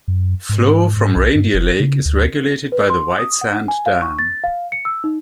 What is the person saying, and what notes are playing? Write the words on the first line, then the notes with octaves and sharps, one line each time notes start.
Flow from Reindeer Lake is regulated by the Whitesand Dam.
F#2
G#2
G#2
B1
G2
F1
C#3
D2
B4
C6
D#6
F#5
G#5
F5
C#6
A6
F5
C#7
E6
D#4